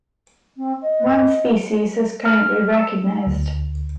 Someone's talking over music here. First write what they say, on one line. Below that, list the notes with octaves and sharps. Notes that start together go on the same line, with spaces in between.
One species is currently recognized.
C4
D#5
F6
E6
D2